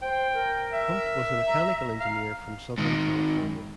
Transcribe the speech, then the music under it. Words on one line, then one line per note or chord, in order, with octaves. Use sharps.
Hunt was a mechanical engineer from Southern California.
C5 G5
A#4
E5
A#5
F5
G#2 D#3